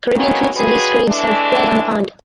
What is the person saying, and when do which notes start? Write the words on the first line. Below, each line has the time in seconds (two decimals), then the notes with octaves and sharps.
Caribbean coots and least grebes have bred on the pond.
0.15 D#3 F#3 G#3 A#3 B3 C#4
0.54 G2 C#3 G#3 F#4 G#4 B4
1.07 E2 E3 G#3 A3 D4